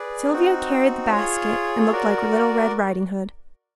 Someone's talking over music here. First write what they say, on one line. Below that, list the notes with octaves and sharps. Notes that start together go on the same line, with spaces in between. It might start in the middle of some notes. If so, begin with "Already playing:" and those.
Sylvia carried the basket, and looked like little Red Riding Hood.
Already playing: G#4 B4 D5
C4 D#4 F#4
F4 G#4 C#5
F#4 A#4 D5